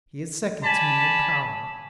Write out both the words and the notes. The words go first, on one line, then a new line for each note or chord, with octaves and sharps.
He is second to me in power.
D5 G#5 A5 B5